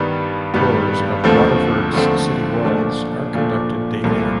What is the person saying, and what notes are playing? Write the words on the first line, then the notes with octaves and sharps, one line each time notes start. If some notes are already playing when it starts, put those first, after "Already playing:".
Tours of Waterford's city walls are conducted daily.
Already playing: G2 D#3 G3 B3
G2 D#3 G3 B3
D#2 D3 F3 A3 C4
D#2 D3 F3 A3 C4
A#2 F3 A3 D4
A#2 F3 A3 D4
C2 A#2 F3 A3